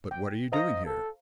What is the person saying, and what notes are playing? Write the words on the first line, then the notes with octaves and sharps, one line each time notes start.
"But what are you doing here?"
G5
C5 D#5 F5 A#5
A4